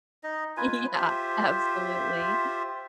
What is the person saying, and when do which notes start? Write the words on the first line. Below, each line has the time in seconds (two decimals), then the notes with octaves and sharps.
Yeah. Absolutely.
0.23 D#4 D#5
0.57 F4 B4 G#5
0.95 F4 G4 C5 E5